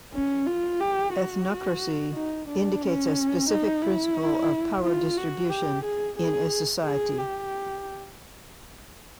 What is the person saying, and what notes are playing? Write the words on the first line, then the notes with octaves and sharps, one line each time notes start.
Ethnocracy indicates a specific principle of power-distribution in a society.
C#4
F4
G4
F#4
D#4
D4
C#4
D#4
E4
F4
F#4
G4
G#4
G#4
G#4
G4